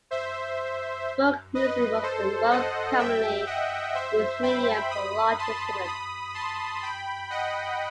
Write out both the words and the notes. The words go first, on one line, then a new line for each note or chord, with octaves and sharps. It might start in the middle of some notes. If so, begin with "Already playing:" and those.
Book Music was the most commonly used medium for large instruments.
C5 E5
B4 D#5
A4 C5
D#5 F#5
E5 G5
D#5 F#5
C5 E5
G5 B5
B5 D#6
A5 C6
B5 D#6
A5 C6
G5 B5
D#5 F#5